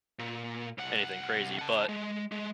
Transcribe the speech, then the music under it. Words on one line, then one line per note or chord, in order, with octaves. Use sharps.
anything crazy, but,
A#2
C2 F#5
F#5 A5
G#3
G#3